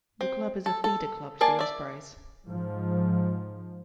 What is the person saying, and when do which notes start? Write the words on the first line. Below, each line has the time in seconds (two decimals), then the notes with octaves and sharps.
The club is a feeder club to the Ospreys.
0.21 C4
0.66 A4
0.84 A4
1.41 A#3 G#4 D5 A5
1.59 D5 E5
2.46 G#2 F3